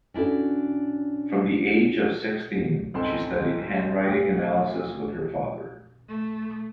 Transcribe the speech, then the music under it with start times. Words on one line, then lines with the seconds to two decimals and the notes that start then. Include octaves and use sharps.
From the age of sixteen she studied handwriting analysis with her father.
0.14 C#4 D4 E4 F#4 A4
2.94 C#2 G#2 C4 A4 C6
4.07 D2
6.08 A3